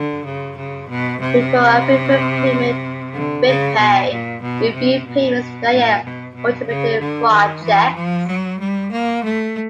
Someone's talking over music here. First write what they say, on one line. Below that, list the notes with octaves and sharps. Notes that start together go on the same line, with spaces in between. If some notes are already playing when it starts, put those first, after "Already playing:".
Before approving payment, Bidpay reviewed payments via automated fraud checks.
Already playing: D3
C#3
C#3
B2
C3
D3
C#3
B2
A#2
B2
C3
B2
A#2
B2
B2
C#3
D3
D#3
E3
F3
F#3
G3
A#3
A3